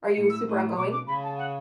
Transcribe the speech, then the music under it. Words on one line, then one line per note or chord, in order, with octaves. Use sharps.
Are you super outgoing?
A2 C#7
E6
A2
B2 D6
D6
C#3 B5
A5
F#5